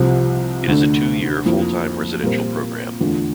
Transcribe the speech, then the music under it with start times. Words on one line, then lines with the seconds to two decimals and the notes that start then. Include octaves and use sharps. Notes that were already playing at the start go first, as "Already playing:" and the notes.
It is a two-year, full-time residential programme.
Already playing: C2 C3 F3
0.68 D2 D3 A3 D4
1.45 F2 E3 A#3
2.23 A#2 G3 C4 F4 A#4
3.01 E2 D3 A3 D4 F4